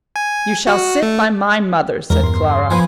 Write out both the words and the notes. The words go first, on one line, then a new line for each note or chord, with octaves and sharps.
"You shall sit by my mother," said Clara.
G#5
F#4
A3
E2 G#3 A#4
G2 C6
F3 B3 G#5